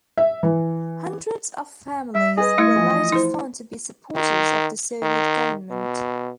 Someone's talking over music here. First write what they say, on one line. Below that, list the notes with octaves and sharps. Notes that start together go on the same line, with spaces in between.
Hundreds of families were later found to be supporters of the Soviet government.
E5
E3
G3 E5
G#4 B4 D#5
A3 E4 G#6 C#7
E3 F3
E4 C5
D#3
D#3
B2